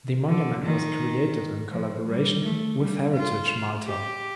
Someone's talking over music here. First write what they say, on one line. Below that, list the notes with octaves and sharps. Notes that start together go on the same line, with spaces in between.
The monument was created in collaboration with Heritage Malta.
D3
D#3
F3
G3
A3
G3
F4
G4